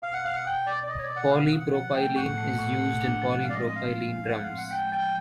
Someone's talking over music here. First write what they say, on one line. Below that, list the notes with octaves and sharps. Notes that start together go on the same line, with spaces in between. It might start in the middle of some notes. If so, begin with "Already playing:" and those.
Polypropylene is used in polypropylene drums.
B2 F5
F#5
B2 F5
F#5
B2 G5
B2 D5
D5
B2 D#5
C#5
D5
B2
F#5
B2 F5
F#5
B2
F#5
F3 F#5
A3 G5
A2 F#5
A3
A2
A3
D4
F3
F#5
G#3 F5
D5
D#5
C4 D#5
F5
F3
G#3
F3 F#5
F5
C4
F#5
G#3 G5
F3 G5